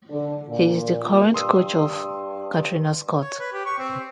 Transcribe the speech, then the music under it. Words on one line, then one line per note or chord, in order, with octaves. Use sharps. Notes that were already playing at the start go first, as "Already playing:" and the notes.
He is the current coach of Katrina Scott.
D3
A#2
G2 C6 D#6 E6
C#5
B4
G4
C#6
C4